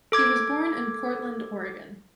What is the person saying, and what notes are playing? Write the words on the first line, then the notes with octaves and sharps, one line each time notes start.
He was born in Portland, Oregon.
A4 D6 G#6